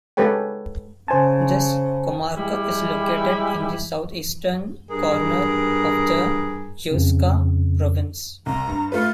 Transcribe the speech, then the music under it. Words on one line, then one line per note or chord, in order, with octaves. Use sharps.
This comarca is located in the southeastern corner of the Huesca province.
G#3 G4 A4 B4 C#5 G5
C#3 C5 G#5 A5
G3 G#3 E4 G4
G2 G#4 A#4
F2 C#3
C2 A#5
G2
A3 F4 B4